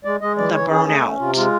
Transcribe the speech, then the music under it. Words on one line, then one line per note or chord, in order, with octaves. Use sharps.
the burnout
G#3 D5
G#3 D#5
E3 D5
E3 C#5
C#4 G#4
A3 G#4
C#4
C3 F4
G#3 F4